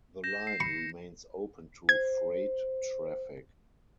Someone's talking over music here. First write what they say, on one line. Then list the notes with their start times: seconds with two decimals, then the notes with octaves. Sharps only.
The line remains open to freight traffic.
0.24 G6 A#6 E7
0.47 C7
0.60 B5 C#6 C#7
1.89 C5 G#6